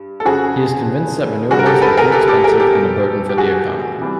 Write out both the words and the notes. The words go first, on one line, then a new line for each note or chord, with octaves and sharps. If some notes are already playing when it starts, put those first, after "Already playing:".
He is convinced that renewables are too expensive and a burden for the economy.
Already playing: G2
A4
F2 C#3 F3 F#4 G#4
G2 D3 G3 F#4 G#4
A#4
G4 A4
A4 B4
G#4 A#4
G4 A4
G4 A4
G#4 A#4
G4 A4
B2 G3
G4
F#4 G#4
C3 E3 G3